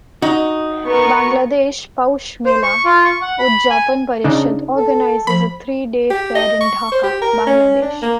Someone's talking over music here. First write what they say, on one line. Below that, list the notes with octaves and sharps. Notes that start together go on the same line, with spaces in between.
Bangladesh Poush Mela Udjapon Parishad organises a three day fair in Dhaka, Bangladesh.
D#4 F#4
B3 A#4 C#6
C5
C#6
F4
C#6
F#5
B5
G#5
C#3 D4 D#4
A4
F3 B5
G4
D#5
C#6
C5
G4
A#4
C#4
D4
A#3